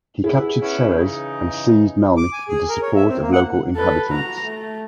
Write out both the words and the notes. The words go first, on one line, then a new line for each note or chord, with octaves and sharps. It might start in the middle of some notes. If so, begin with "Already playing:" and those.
He captured Serres and seized Melnik with the support of the local inhabitants.
B3 E4 G#4
B3 C#4 E4
C#3 E3 D#4
D6
G#5
G#4
A#4
C#5
E5
C4
A#3
F#5
A4 B4
F#4 A#5
A3